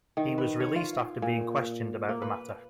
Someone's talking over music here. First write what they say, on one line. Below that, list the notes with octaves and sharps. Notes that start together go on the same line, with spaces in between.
He was released after being questioned about the matter.
D#3
B4
C#5
F4
A#2
A#3
B4